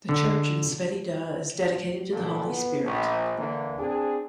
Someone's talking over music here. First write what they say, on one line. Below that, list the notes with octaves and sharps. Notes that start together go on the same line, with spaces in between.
The church in Sveti Duh is dedicated to the Holy Spirit.
D3
A1 A#2 D3 A4
B3
A#1
D3 E3 A#3
C4 D4 G#4